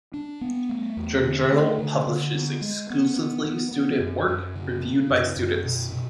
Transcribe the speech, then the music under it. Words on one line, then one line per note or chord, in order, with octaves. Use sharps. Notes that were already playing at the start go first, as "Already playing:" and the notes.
The journal publishes exclusively student work, reviewed by students.
D4
B3
A3
E2
D3
A3
D3
D3
B3
G#3
B3
B3
B3
B3
F#2
F#2
C#3
C#3
F#2
F#2
B2
B2